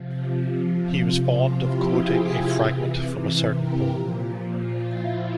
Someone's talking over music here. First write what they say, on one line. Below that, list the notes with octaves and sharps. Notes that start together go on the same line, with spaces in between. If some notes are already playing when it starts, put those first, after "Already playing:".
He was fond of quoting a fragment from a certain poem.
Already playing: C3 F3
C3 F3 F4 G#4
E4 G4
F4 G#4
F4
C3 E3
G4 A#4
A#2 F3
F4
E4